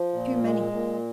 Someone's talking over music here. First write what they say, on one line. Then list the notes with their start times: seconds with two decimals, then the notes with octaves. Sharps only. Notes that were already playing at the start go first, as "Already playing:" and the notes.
Too many.
Already playing: F3
0.13 A#2
0.42 G#3
0.72 A#2